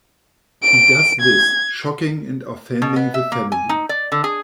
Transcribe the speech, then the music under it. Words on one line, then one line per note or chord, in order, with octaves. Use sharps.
He does this, shocking and offending the family.
D7
G#6
B2
B3
E5
A#3
G#5
D#4
D5
D3
G#4